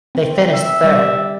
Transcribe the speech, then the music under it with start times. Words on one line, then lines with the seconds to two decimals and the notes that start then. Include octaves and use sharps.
They finished third.
0.15 C4
0.53 E5
0.84 G3 D5